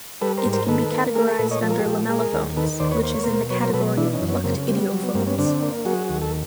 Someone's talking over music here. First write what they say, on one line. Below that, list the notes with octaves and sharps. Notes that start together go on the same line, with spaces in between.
It can be categorized under lamellophones, which is in the category of plucked idiophones.
G3 A4 B4
A#4 C5
G#2
A#4 C5
D#3 A4 B4
A#3
A3 G#4 A#4
G#4 A#4
A#2 A4 B4
C#5 D#5
F3 A4
A#4
G4 A4
A#2
G#3 G#4 A#4
D#2
D#3 A4 B4
D#2 C5 D5
B4 C#5
A#3 C5
C#5
B2 A#4 C5
F#3 B4 C#5
A#4 C5
B2 A4 B4
E3 D4 E4
C#4 D#4
F#2
B3 C#4
C#3 A#3 C4
G3 C4
B3
F#3
B3
G2 A#3 C4
B3 C#4
D3 C4 D4
A#3
F#3 F#4 G#4
D#2
A4